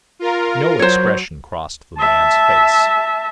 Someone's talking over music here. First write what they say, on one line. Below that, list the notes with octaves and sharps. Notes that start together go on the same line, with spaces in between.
No expression crossed the man's face.
F4 A#4
F#3 C5 C#5
E5 A5